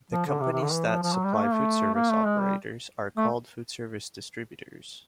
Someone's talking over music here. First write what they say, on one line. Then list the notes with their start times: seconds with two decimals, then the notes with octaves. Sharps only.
The companies that supply foodservice operators are called foodservice distributors.
0.11 F3
0.26 D3
0.41 C3
0.52 C3
0.63 D3
0.73 E3
0.88 F3
1.03 F3
1.13 F#3
1.24 G3
1.34 A3
1.44 A#3
1.54 A3
1.94 A#3
2.11 A3
2.25 G#3
2.40 G3
3.17 A3